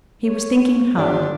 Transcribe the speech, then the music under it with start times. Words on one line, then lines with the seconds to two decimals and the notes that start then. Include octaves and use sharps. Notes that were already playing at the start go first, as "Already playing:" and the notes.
He was thinking hard.
0.25 C#5
0.98 G1 D4 F4 G4 A4